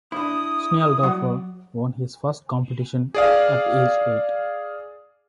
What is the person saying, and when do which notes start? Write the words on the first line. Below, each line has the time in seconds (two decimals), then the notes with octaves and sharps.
Schnelldorfer won his first competition at age eight.
0.12 D4 E4 D#6
1.03 F#3 D5 F#5
3.14 G#4 D5 F5